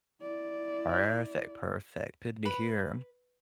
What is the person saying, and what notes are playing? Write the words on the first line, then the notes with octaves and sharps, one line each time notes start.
Perfect, perfect, good to hear.
E4 D5
B4